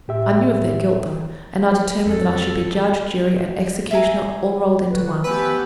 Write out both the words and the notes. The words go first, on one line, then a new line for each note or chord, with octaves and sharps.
I knew of their guilt though, and I determined that I should be judge, jury, and executioner all rolled into one.
A2 G4 E5
F2 A4
E5 F5 G#5 A#5
D3 F#4 B4
F3 A3 B3 G4 B4 G#5 E6